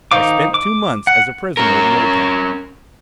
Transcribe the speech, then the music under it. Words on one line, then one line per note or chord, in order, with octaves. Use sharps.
I spent two months as a prisoner in Lo-Tan.
D#3 D#4 C5 F5 D6
D6
F#5
C#4 A#4